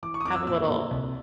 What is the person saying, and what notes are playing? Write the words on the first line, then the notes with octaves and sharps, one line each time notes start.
have a little
E3 D6
C#6
D#6
F2 D6
E6
A#2 E6
A#2
C2